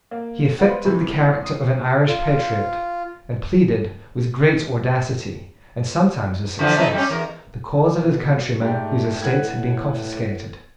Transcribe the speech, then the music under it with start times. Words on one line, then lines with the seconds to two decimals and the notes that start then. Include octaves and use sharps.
He affected the character of an Irish patriot, and pleaded, with great audacity, and sometimes with success, the cause of his countrymen whose estates had been confiscated.
0.11 A#3
0.59 G#3 B3 F4 B4 C5 F#5
0.85 C3 D#3 E3 G#3 B3
1.44 D#6 C7
2.08 F4
6.59 D3 E3 F3
6.76 A3 D#4 E4
6.93 G3 G#3 C#4
7.09 E2 A#4
8.00 B2
8.62 G#2 A3 G4 D5
9.22 A2 B4 F#5 G#6